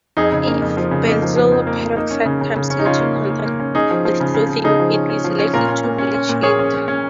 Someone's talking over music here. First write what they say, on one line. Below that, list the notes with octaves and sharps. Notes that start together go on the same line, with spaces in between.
If benzoyl peroxide comes into contact with clothing it is likely to bleach it.
F2 D#4 G#4
C#3
A#3
F2
F3
C#3
A#3 D#4
F3
F3
F2
A#3
A#3
A#3 D#4
C#4
C#3
C#3
C#3
C#4
D#4
C#3 C#4 F4
A#3
C#3
A#3
A#3
C#4
C#4 D#4 G#4
F3
F3
C#3
C#3
C#3
C#3 D#4 G#4
F3
C#4
C#4
F3
C#4
A#2 F4 A#4
C#4
A#2
C#4
C#4
A#2
A#3 G#4 C#5
C#4
C#4
C#4